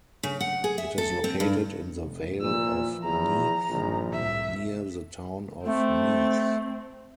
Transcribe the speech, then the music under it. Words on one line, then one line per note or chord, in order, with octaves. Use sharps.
It is located in the Vale of Neath near the town of Neath.
C#3
F#5
G#4
E5
A4
C4
G2
F1
A#2 E3 F3 E6
E2 A#5
A#1 G2 D#3 F3
C2 A2 E5
A3 C4